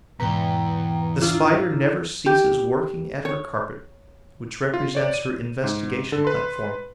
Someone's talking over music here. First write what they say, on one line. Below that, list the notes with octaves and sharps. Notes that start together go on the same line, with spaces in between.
The Spider never ceases working at her carpet, which represents her investigation-platform.
E2 G#2 B2 B4 G5 A#5
D4 E4 F4
G4
C#5
F4
C#5 D5
D#7
G#2
D3 A4
B4 C6